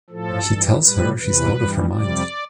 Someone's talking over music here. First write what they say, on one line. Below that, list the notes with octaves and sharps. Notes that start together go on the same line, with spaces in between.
He tells her she is out of her mind.
A2 F3 A4
G2 E3 G3
A2 G3 B4
E2 C3 E3 B4
G2 E3 G3
F2 C3 G3 D5